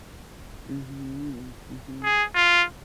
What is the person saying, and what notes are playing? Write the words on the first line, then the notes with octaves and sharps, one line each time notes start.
Mhm, mhm.
G#4
F4